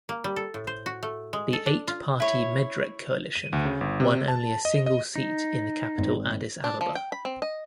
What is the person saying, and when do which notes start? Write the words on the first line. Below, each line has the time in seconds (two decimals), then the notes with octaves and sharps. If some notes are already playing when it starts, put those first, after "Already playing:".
The eight-party Medrek coalition won only a single seat in the capital Addis Ababa.
0.09 A#3
0.24 G3
0.36 A4
0.54 A2
0.67 C5
0.86 F#4
1.03 A3
1.33 G#3
1.53 A4
1.66 D4
1.88 F4
2.20 E4 C#5
3.35 D#7
3.53 D2
3.65 C#3
3.81 G1
4.00 C3
4.28 A5
4.65 D#5
4.86 D#5
5.16 D#4
5.98 G#1
6.64 D4
6.81 F3
6.95 G5
7.12 B5
7.25 C4
7.42 D#5